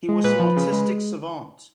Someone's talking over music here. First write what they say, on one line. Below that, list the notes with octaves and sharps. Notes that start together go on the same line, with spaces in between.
He was an autistic savant.
G#3
A#2 B4
F3
C#3
G#3